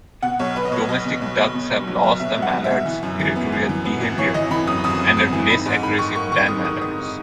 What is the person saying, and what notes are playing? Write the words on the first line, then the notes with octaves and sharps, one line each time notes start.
Domestic ducks have lost the mallard's territorial behaviour, and are less aggressive than mallards.
B2 F#5
B1 C#5
B1 B4
D#5
B1 C#5
B1 D#5
B2
B1
B1
B2
B1
F#3
B1
B2 E5
F#3
F#5
B2
E5
B2
E3
F#2
E3
B3
F#2
E3
B3
G#1
E3 C#5
E3 D#5
E3 B5
F#2 D#6
G#1 D#6
F#2
B3 D#6
E3
D#4 B5
G#2
D#3 B5
D#4 C#6
A#3 C#6
D#3 C#6
D#3 D#6
D#3 D#6
D#4 D#6
D#4